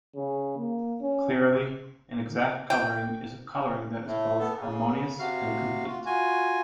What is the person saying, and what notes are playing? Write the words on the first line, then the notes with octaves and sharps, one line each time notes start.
Clearly, an exact coloring is a coloring that is both harmonious and complete.
C#3
A#3
C#4
G5
A2 A3
B3 A4
C#3
C3 F#4 F5
F4 F#4
F4 F#4 G#5